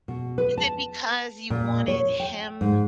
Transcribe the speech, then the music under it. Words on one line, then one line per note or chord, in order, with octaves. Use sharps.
Is it because you wanted him
B2
B4
A5
A#2
C#5
G5
G#2